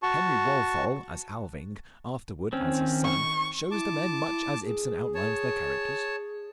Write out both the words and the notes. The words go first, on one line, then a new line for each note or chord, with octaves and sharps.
Henry Walthall as Alving, afterward as his son, shows the men much as Ibsen outlines their characters.
F#4 A5 C#6
D#3 C4 C#4
C#6
E4 A5 D6
G#4
C#5 A5